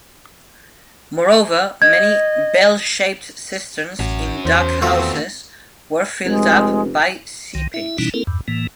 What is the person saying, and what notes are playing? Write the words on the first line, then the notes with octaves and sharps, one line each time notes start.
Moreover, many bell-shaped cisterns in dug houses were filled up by seepage.
D#5 G#6
A1 C#4 F#4
E2 C5
D#2 A3 B3 C4 F4 F#4
F1 G#3
C2 D#3
E4 E5
B2 E3 G3 C#4 D#4 E4
A#3 C4 E4 A4 A#4
E2 G2
A2 E3 A#3